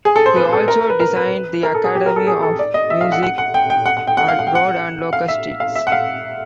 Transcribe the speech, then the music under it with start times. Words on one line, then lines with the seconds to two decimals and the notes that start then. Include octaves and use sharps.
He also designed the Academy of Music at Broad and Locust Streets.
0.05 G#4
0.16 A4
0.26 C5
0.36 B4
0.53 A4
0.68 A#4
0.89 B4
1.00 A#4
1.16 B4
1.63 A#4
1.75 A4
1.84 G#4
1.95 G4
2.06 A#4
2.16 A4
2.27 G#4
2.43 A4
2.59 D5
2.74 D#5
2.90 E5
3.01 F5
3.12 F#5
3.23 F#5
3.38 F#5
3.54 G5
3.70 G5
3.86 F#5
3.97 F#5
4.07 G5
4.17 F#5
4.28 F5
4.39 F#5
4.47 G5
4.55 F#5
5.13 F5
5.28 E5
5.60 F5
5.75 E5
5.87 F#5
5.92 F5